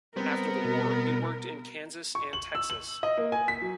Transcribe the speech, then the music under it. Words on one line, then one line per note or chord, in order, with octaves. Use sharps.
After the war, he worked in Kansas and Texas.
G3 B3 C4 A#4 C5
B2
C#6
F#7
E6
F#7
D#5
A#3
G#5
B6
F#3